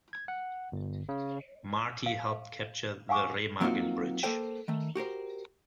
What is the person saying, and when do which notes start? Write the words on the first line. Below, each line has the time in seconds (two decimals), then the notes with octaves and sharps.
Marty helped capture the Remagen Bridge.
0.13 G#6
0.28 F#5
0.72 G1
1.09 C#3
2.06 F5
3.09 F5 F#5 G#5 C#6 D6
3.60 F#3 A#3 C4 D#4 F4 F#4
4.23 A#3 A4 C5 G5
4.68 D#3 A3
4.95 F#4 G4 A#4 C5